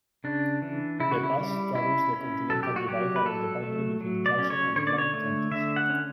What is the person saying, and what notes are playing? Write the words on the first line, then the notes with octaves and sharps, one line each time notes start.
The pass straddles the continental divide along the boundary between Jackson and Grand counties.
C#3 D4
E3
C#3 E4
F#4
E4
G3
C#4 E4
C#4
F#3 A4
G4
F#4
F#3 G4
B4
F#3 A4
A3
F#3
D5
C#4
C#5
D3 C#5
D5
C#5
A3
D3 E5
F#5
C#4